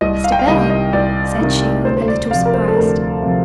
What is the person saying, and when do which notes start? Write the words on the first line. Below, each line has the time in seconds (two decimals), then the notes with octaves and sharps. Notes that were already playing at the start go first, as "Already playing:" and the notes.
'Mr. Bell!' said she, a little surprised.
0.01 C2 D#5
0.24 F5
0.32 G5
0.39 F5
0.47 C3 D#3 G3 D#5
0.70 D#5
0.93 C2 D5
1.39 C3 D#3 G3
1.85 D2 C5
1.97 C5
2.08 D5
2.30 C3 F3 F5
2.45 A#4
2.54 C5
2.68 A4
2.76 D2 A#4
3.22 C3 F3